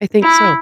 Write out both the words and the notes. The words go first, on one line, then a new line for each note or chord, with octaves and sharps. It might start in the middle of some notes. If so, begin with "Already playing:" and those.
I think so.
E4